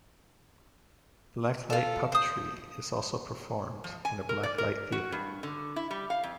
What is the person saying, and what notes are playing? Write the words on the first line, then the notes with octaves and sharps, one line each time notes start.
Black light puppetry is also performed in a black light theater.
F4 A4
C5 D#6
F3
G#5
A#4
D5
A#4
F#4
G2
D3
E4
G3
F5
F2